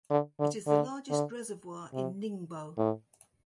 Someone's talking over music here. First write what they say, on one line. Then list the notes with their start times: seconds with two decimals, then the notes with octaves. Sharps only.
It is the largest reservoir in Ningbo.
0.11 D3
0.39 D3
0.67 D3
1.10 D3
1.94 C3
2.77 A2